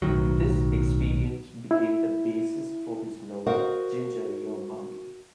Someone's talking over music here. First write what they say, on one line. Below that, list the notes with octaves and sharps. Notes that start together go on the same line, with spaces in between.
This experience became the basis for his novel "Ginger You're Barmy".
B1 A2 D#3 F#3
E4
F#4 A#4 C5 D#5 F5 F#5